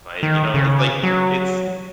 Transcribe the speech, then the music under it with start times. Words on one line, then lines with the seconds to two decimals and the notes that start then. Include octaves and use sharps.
Right, you know, it's like, it’s
0.23 D#3
0.54 C#3
1.03 F#3